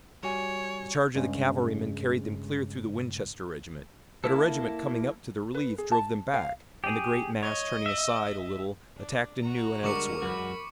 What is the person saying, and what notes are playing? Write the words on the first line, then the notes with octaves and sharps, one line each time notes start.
The charge of the cavalrymen carried them clear through the Winchester regiment, but a regiment coming up to the relief drove them back, and the great mass turning aside a little attacked anew and elsewhere.
G3 F#4 C#5 G#5
G2 C#3 G#3 C#4
A#3 E4 A4
B4
G#4
A5
F5
G4 G#4
C#5 D#5
E5
D4
F#4 A#5
D3 G3 G#3 A#4 C#6 D6 C#7
F#2 G#3 F#4 B5